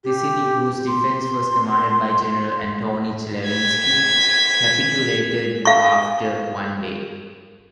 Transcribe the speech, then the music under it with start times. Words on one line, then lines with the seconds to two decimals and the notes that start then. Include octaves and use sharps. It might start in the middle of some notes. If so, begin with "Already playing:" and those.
The city, whose defense was commanded by General Antoni Chlewinski, capitulated after one day.
0.04 G4
0.87 C6
3.49 G#6 B6
5.65 F5 C#6